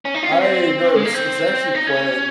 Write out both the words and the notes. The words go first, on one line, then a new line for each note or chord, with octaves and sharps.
I no, it's it's actually quite
C#4
D#4
F4
C#4
C4
G#3
A#3
C4
D#4
C#4